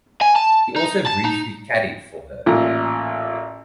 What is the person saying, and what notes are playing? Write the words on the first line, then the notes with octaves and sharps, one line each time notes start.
He also briefly caddied for her.
G#5
A5
D#4
A5
D#4
A1 A#2 A#5